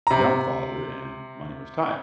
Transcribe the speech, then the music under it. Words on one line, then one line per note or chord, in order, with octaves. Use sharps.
young father and money was tight.
C3 A#5